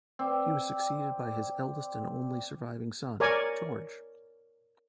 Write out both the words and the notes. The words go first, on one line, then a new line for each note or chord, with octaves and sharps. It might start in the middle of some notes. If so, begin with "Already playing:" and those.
He was succeeded by his eldest and only surviving son, George.
C4 D5 G5 D6
A#4 C#5 D5 G#5